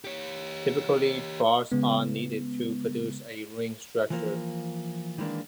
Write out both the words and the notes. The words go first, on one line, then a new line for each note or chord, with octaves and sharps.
Typically, bars are needed to produce a ring structure.
G4 C#5
C#3 G#3 B3
E3 F3 A#3
D#3 E3 G#3 A#3 D4